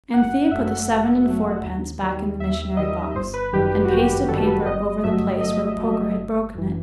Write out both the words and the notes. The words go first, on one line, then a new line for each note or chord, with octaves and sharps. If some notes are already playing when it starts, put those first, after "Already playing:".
Anthea put the seven-and-fourpence back in the missionary-box, and pasted paper over the place where the poker had broken it.
G1 F#5
F#2 F#3 A3 E5
G1
F#2 F#3 A3
D#2
D#3 G3
D#2 E5
D#3 G3 D#5
G1 C5
B4
F#2 D#3 G3 G4
G4
F#4
G1 G4
G4
F#2 D#3 G3 A4
B4
G1 D#5
G2 F#3 A3 E5
G1 D#5
G2 F#3 A3
G1
F#2 E3